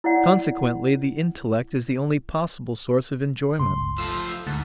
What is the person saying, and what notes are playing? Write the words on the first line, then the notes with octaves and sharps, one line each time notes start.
Consequently the intellect is the only possible source of enjoyment.
E4 C#5 D5 F#5
G1 C#2 C6
F3 A3 F4 E6
D2 G#2 F#5 A5